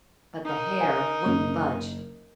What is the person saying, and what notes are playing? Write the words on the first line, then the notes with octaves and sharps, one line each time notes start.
But the hair wouldn't budge.
D#4 A#4
G#5
F#1